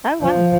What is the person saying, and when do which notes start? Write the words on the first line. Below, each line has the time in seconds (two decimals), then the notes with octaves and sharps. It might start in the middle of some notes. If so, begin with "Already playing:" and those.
Oh, wow.
0.22 F3